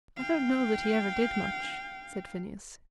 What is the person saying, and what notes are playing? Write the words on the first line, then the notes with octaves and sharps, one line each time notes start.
"I don't know that he ever did much," said Phineas.
F5 G5